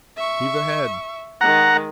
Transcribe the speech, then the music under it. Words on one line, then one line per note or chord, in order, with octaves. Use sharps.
"Heave ahead."
E5 C#6
D#3 G#3 F#5 A#5